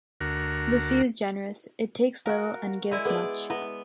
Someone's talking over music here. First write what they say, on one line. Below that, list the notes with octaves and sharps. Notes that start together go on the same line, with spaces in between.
The sea is generous - it takes little and gives much.
D2 F#4 A#4
F#4 A#4 F5
G#3 E4 D5 E5
B3 G#4 B4 D5
B3 E4 E5